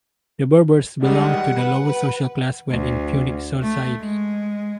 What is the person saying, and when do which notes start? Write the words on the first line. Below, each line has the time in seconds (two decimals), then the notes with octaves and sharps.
The Berbers belonged to the lower social class when in Punic society.
1.03 D#3 G3 G#3 F#5
1.56 B4
1.85 B4
2.71 D2
3.62 A3
4.01 G#3